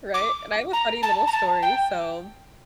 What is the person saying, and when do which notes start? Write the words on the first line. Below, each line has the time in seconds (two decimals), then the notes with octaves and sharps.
Right? And I have a funny little story, so
0.14 D6
0.73 A#5
1.03 A5
1.27 A#5
1.32 A5
1.62 G5